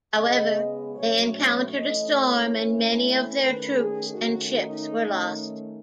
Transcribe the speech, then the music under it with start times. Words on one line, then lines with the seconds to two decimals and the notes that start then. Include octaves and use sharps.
However, they encountered a storm and many of their troops and ships were lost.
0.14 C#3 G#3 B3 D#5
0.93 B2 F#3 A3 C#4 C#5
1.33 C#5
1.73 E3 A3 C#4 D#5
2.13 C#5
2.53 E3 A3 C#4
3.33 D#3 A3 C#4 B4
3.73 G#4
4.12 D#3 A3 C#4 F#4
4.53 D#4
4.93 D#3 A3 C#4